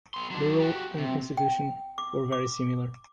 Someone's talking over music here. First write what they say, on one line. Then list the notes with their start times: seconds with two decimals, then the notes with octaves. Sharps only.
The Rule and Constitution were very similar.
0.14 B3 C6
0.31 F#3 D4
0.60 F#4 G4
0.98 C3
1.37 G5
1.98 D6
2.32 D6